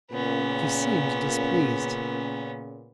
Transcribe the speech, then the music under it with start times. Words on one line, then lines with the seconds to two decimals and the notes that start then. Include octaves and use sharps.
She seemed displeased.
0.11 A#2 C#3 B3 C#4